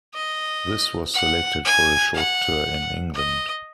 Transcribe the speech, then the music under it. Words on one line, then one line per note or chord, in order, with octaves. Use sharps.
This was selected for a short tour in England.
D#5
F#5
G#5
F#5
D#5